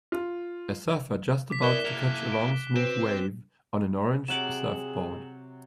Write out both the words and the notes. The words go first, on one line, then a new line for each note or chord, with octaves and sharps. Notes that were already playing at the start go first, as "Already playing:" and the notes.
A surfer just about to catch a long smooth wave on an orange surfboard.
F4
D6 B6
B3 E4 A#4 D5 F#6 E7 G7
A#3 E4 F7
D7
C4 F#4 B4 E7
C3 F#3 G#4 F#5 D6 E7 F#7